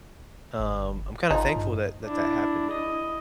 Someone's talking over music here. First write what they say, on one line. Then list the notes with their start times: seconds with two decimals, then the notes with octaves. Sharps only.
um, I'm kinda thankful that that, that happened
0.60 G1
1.31 G#1 F3 D#4
1.56 G2
2.04 D4 E4
2.70 E4 D#5